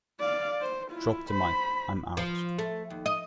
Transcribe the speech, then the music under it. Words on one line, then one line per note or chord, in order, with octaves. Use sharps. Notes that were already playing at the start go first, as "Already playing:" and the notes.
Drop the Mic, I'm out.
D5 F5
C5
E4 F4
C5 B5
F3
A3
D#2
D#5